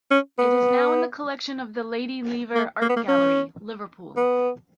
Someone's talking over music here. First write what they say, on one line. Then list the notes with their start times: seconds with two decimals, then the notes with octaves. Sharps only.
It is now in the collection of the Lady Lever Art Gallery, Liverpool.
0.11 C#4
0.38 B3
2.55 A#3
2.81 A#3
2.89 B3
2.96 A#3
3.08 C#4
4.17 B3